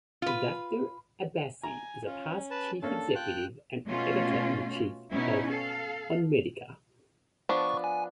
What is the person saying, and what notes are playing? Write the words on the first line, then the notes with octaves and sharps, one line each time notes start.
Doctor Abbasi is a past chief executive and editor-in-chief of OnMedica.
F4 B4
G#5 A#5
C#4 F4
B4 A5
A#3 C#4 D4 A4 A5
F4 G5 F#6
B2 A3 C#4 F4 F#4
B2 C#4 D#4 E4
A4 F5
F3 B3 D4 C#6
G#5